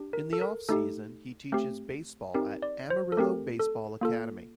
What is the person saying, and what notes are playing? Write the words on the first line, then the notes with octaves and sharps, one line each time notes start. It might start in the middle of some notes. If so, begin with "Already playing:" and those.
In the off-season, he teaches baseball at Amarillo Baseball Academy.
Already playing: D4 G4
A#4
A4
A#4
A3 D#4 G4 A4
A3 C4 G4
C4 D#4 G4 A#4
D5
C5
A4
A3 C4 G4 A#4
A4
A#3 F4 A4